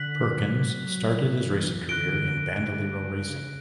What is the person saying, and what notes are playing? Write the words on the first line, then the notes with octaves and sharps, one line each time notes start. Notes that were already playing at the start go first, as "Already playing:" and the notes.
Perkins started his racing career in Bandolero racing.
Already playing: D3 F#6 B6 F#7
F#3
E3
D3 F#6 A#6 D7 G7
C#3